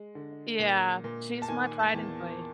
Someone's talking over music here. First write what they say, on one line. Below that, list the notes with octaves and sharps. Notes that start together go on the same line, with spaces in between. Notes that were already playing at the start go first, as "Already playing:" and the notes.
Yeah. She's my pride and joy.
Already playing: G#3
D3
A#2
A#2
A5
D#3 G#5
A5
E2